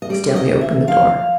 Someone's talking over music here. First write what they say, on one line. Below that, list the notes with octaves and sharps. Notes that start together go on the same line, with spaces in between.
Stanley opened the door.
D#5
G3 D5
D#5
G3
E5
F3 F5